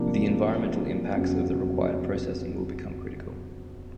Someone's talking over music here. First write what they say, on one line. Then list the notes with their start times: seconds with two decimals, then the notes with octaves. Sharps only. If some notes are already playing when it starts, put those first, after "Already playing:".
The environmental impacts of the required processing will become critical.
Already playing: C3 F3 A#3 D4
1.17 F2 C#3 F#3 B3